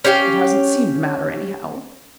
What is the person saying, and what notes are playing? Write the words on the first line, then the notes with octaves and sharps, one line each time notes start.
"It hasn't seemed to matter, anyhow."
C#4 G4 F5 G5